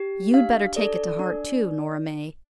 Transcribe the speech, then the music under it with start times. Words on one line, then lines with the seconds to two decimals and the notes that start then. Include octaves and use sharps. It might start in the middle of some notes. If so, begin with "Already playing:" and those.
You'd better take it to heart too, Nora May.
Already playing: G4
0.33 D4 F5
0.76 A4 D5
1.19 D4